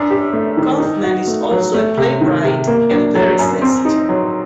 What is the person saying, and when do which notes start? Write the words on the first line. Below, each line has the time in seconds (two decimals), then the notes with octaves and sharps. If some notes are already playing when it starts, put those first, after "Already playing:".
Kaufman is also a playwright and lyricist.
Already playing: F#2 D4
0.11 G4
0.33 A3
0.57 D#3
0.80 D#4
1.03 F#4
1.27 A3
1.51 F#3
1.74 A3
1.98 C3
2.21 D#3
2.44 C3
2.67 A#3
2.91 D4
3.15 F#3
3.39 F#2
3.62 C4
3.85 D#4
4.09 F#3